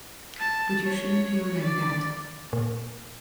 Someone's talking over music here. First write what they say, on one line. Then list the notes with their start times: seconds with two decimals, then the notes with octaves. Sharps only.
But you shouldn’t feel like that.
0.38 A5
0.83 C#5
1.61 D5
2.53 A#2